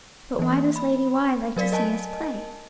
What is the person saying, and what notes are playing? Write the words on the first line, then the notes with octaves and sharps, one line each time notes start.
But why does Lady Why like to see us play?
E3 A#3
B5
F#3 A#4 D5 F5 B6
A#4 D#5 G#5 A5